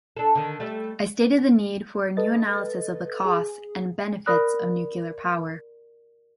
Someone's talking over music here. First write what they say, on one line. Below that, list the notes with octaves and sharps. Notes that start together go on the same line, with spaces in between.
I stated the need for a new analysis of the costs and benefits of nuclear power.
D4 A4
D3 D#3
G3 A3
A4 B4 D#5 A6
G#4
A#4 D5 B5 D#6 F6 F#6